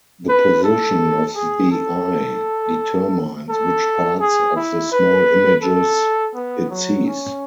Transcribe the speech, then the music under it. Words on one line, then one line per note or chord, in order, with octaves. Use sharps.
The position of the eye determines which parts of the small images it sees.
B4
A4
G#4
A4
A4
G#4
E4
B4
A4
B3
F#3
C#4